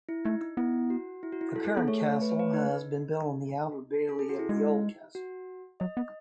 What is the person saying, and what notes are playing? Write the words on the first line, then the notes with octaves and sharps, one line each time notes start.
The current castle has been built on the outer bailey of the old castle.
E4
A3 D#4
D#4
B3 E4
F#4
E4
F#4
E4
A4
G#4
B3 A4
A3 C#5
B4
C#5
B4
D#4
A4
G#4
F#4
E4
G#3 D#4
F#4
F#3 D#5
B3